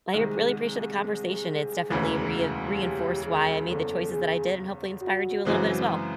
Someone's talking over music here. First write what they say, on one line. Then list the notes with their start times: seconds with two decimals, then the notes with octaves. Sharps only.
I really appreciate the conversation. It's definitely rein reinforced why I made the choices that I did and hopefully inspired you a little bit as well.
0.13 C2 C3 D#3 G#3 G#4
0.58 G#4
1.90 E1 D2 C#3 E3
2.79 G4
3.24 G#4
3.68 F#1 E2 C#3 A4
4.12 G#4
5.01 F#4
5.45 F#2 C#3 E3 G#3 C4 F#4